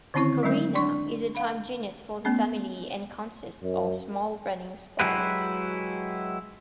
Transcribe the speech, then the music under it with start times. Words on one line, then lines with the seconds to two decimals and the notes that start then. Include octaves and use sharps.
"Corinna" is the type genus for the family and consists of small running spiders.
0.14 D3 D#3 C4 C#4 E4 C#6
0.43 F#3 G#3 A3 C#4 A#4
0.75 D4 D5 C#6
1.35 F5 B5
2.25 A3 B3 C#4
3.63 F#2
5.00 F#3 G#3 E4 F#4 G4 B4